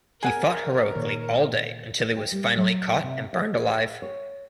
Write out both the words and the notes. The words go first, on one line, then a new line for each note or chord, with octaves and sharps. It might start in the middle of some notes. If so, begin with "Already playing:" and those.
He fought heroically all day until he was finally caught and burned alive.
G#4 A#4 F#5 G#5
A#2 D#3 C#5
G5
G3
F#3
C3
D#5
G#4
C#5